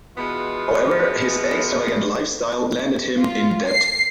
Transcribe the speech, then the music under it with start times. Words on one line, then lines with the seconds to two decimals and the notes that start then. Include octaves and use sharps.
However, his extravagant lifestyle landed him in debt.
0.17 B2 E3 G#3 B3 F4
3.19 F4
3.67 C7